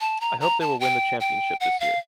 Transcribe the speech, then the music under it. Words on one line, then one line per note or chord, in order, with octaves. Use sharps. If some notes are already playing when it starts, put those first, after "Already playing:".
I hope they will win the championship this year.
A5
A#5
A#5
A5
G5
G5
F#5
F5